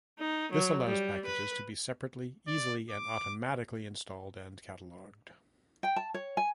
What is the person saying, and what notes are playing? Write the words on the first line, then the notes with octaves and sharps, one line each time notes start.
This allows packages to be separately, easily and automatically installed and catalogued.
D#4
F#3
G3
B4
D5
D6
G5
A5
C#5
G#5